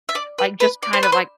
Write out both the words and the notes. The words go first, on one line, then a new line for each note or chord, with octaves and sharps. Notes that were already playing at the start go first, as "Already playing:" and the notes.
Like, just kind of, like
E5
D5
B4
B4
D5
C5
B4
C5